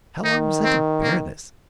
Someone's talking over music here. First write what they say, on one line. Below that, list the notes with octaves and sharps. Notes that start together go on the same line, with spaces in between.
How long was I to bear this?
D#3 D#4
C4
A#3